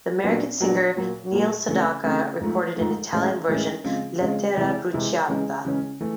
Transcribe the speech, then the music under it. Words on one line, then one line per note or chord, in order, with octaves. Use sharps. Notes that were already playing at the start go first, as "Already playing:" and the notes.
The American singer Neil Sedaka recorded an Italian version, "Lettera bruciata".
A#2 F#3 B3 D4
A#2 F#3 B3 D4
A#2 F#3 A#3
A#2 F#3 A#3
C#3 E3 A3 C4
C#3 E3 A3 C4
G#2 F3 A3
G#2 F3 A3
A2 E3 G#3 C#4
A2 E3 G#3 C#4
C#3 F3 G#3 C4 F4
C#3 F3 G#3 C4 F4
C3 E3 G#3 C4 E4
C3 E3 G#3 C4 E4
C#3 E3 G#3 C#4
C#3 E3 G#3 C#4
E3 A3